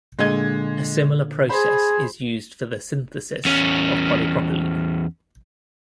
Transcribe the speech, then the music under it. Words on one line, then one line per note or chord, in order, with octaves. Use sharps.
A similar process is used for the synthesis of polypropylene.
A#2 D3 G#3 D#5 G#6
G#4 C5 B5
E2 C#4